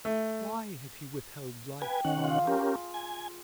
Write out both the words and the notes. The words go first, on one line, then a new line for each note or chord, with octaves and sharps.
Why had he withheld life from her?
A3
B4 G5 G#5
D#3 C#4 F#5
F4 G#4
C#4 G4 A#4
G#5